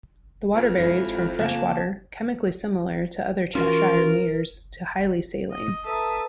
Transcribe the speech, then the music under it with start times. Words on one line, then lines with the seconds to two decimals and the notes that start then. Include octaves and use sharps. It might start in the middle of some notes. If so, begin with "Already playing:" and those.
The water varies from freshwater, chemically similar to other Cheshire meres, to highly saline.
0.55 F2
0.76 G#2 E4 F4
1.39 C#3 A#3 A5
3.55 E3 C#4 F4 F#4 A#4
5.51 D#5
5.85 A4 B4 E5 A5 A#5 D#6